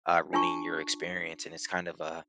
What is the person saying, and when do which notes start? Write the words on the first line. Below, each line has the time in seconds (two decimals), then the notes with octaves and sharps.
uh ruining your experience, and it's kind of a
0.33 D4 F4 A5 C#6